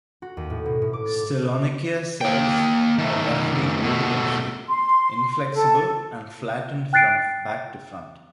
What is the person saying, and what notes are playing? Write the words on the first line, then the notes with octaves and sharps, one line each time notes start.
"Stylonychia" cells are roughly oval in shape, inflexible and flattened from back to front.
F#4
D#2
A2
B2
A2
D6
A6
A#3 G5
D#3 A3
B2 A3
C6
A4
G5 F#6 A6 C7 D7